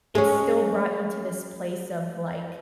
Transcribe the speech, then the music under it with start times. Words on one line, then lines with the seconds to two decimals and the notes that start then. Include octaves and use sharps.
it still brought you to this place of, like
0.15 G#3 C#4